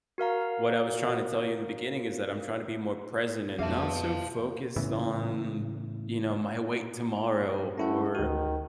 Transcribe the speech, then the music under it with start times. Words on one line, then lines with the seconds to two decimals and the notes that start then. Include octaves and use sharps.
what I was trying to tell you in the beginning is that I'm trying to be more present and not so focused on, you know, my weight tomorrow or,
0.18 F#4 A#4 F5 A#5
3.59 F2 B2 G#4 B4 E5 F5 A5
4.76 A2 C#3 E3 B3
7.78 A3 C#4 E4 F#5
8.15 D2 D#3 F#4